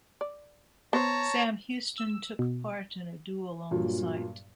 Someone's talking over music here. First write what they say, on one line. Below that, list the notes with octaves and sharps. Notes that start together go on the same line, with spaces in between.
Sam Houston took part in a duel on the site.
D5
B3 C5 C#5 A5 A#5
E6
B2
G2 A#2 F#3